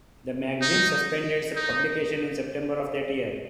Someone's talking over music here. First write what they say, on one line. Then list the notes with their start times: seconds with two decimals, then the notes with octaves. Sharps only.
The magazine suspended publication in September of that year.
0.61 D#4
1.56 D#4